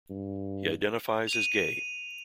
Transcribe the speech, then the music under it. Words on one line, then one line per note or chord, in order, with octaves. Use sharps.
He identifies as gay.
G2
F7
D#7